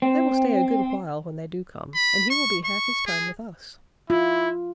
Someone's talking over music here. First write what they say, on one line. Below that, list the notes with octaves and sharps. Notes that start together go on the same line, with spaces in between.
They will stay a good while when they do come, and he will be half his time with us.
C4
B5
C#6
C#6
G#4
E4 F4